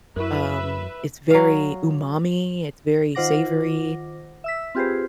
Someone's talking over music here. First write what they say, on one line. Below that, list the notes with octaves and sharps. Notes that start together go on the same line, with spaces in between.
um, it's very umami, it's very savory
F#2 E4 A#4 B4 E5
F#3 F5
D#3 F4 C5 F#5 D6 A#6
E5 E6 B6
C4 F4 G4 G#4 B4 C5